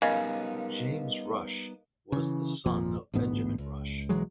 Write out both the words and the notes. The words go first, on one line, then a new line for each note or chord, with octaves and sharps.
James Rush was the son of Benjamin Rush.
C#3 G3 B3 D#4 A#4 D#5 F5
C#3 E3
G#1 F2 A#2 F3
A1 D2 G#2 B3
C#2
B1 E3 F#3 G#3